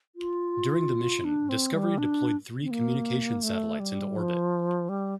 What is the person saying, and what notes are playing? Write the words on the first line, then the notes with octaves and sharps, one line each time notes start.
During the mission, "Discovery" deployed three communications satellites into orbit.
F4
D4
C4
G3
D4
C4
A#3
A3
G3
F3
G3